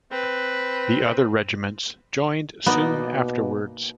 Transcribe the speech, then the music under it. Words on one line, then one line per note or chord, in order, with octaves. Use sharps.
The other regiments joined soon afterwards.
C4 B4
B2 A#3 B3 D#4 D5